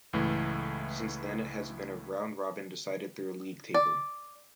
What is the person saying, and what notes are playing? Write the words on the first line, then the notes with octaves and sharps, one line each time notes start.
Since then it has been a round-robin decided through a league table.
C#2 A2 E3 A3
D5